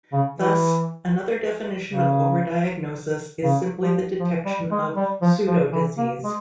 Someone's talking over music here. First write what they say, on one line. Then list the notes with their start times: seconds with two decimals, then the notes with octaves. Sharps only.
Thus, another definition of overdiagnosis is simply the detection of pseudodisease.
0.13 C#3
0.38 E3
1.91 C#3
3.43 C#3
3.82 F3
4.20 F3
4.45 G3
4.71 G#3
4.96 G3
5.21 F3
5.47 F3
5.72 E3
5.98 A#3
6.24 G#3